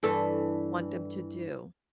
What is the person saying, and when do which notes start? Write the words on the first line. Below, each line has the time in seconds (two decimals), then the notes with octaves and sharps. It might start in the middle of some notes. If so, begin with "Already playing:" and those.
want them to do,
0.03 G2 E3 A4